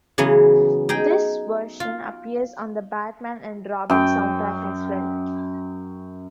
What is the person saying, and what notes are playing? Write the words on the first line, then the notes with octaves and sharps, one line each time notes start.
This version appears on the "Batman and Robin" soundtrack as well.
C#3 E3 F#3 B3
D#4 G#4 G5
F4
F#2 G5